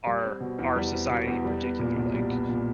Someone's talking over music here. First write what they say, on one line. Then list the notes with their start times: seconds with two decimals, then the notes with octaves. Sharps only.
our our society in particular like,
0.07 G3
0.24 C4
0.40 B2
0.59 E2
0.76 G3
0.93 C4
1.10 B2
1.27 E2
1.44 G3
1.62 B3
1.79 A#2
1.96 B1
2.14 G3
2.31 B3
2.49 A#2